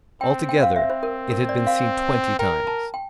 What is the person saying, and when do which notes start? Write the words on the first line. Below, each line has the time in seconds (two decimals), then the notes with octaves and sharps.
Altogether it had been seen twenty times.
0.21 C4 G5
0.49 G5
0.63 F5
0.75 C4 E5
0.90 C5
1.03 A#4
1.30 A#4
1.49 D5
1.67 F5
2.39 A#4 G5
2.67 A5
2.94 G5